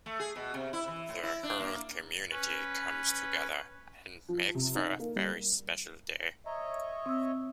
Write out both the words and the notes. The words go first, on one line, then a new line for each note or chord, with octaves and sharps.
The whole community comes together and makes for a very special day.
A3
G#4
B2
C3
E4
E3
A2
E4
D4
A#3
C#4 B4
F3
C3
D#4
A#3
G3
C#5 D#5 E5 A#5
C4 E6